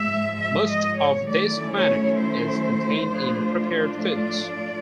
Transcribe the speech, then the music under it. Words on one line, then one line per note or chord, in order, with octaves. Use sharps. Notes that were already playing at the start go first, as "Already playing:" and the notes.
Most of this quantity is contained in prepared foods.
Already playing: G#2 F3 G#3 E5
E5
D#5
C#5
D#3 F#3 A3 C#4 E4 D5
C#5
C5
A2 F3 A3 D4 F4
D5